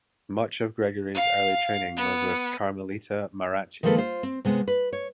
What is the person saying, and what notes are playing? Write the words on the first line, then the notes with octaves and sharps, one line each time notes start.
Much of Gregory's early training was with Carmelita Maracci.
F5
B3
D#3 F3 G#3 A#3 A4 B4
F4 C5
C4
C3 G#3 B3
B4
C#5